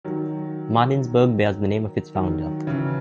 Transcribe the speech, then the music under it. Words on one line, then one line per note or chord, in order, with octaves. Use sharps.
Martinsburg bears the name of its founder.
D#3 F#3
D#3 F#3
C#3 E3